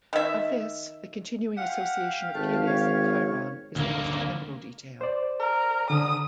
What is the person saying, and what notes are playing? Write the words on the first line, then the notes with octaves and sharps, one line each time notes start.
Of this, the continuing association of Peleus and Chiron is the most dependable detail.
D#3 E5
G4 F5 F#5
G#1 A3
C#5
D2 A#3
C5 D5
A#4
D3 D#6